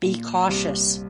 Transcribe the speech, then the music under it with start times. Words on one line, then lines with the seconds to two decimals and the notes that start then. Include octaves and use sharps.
Be cautious.
0.02 A#2
0.49 C2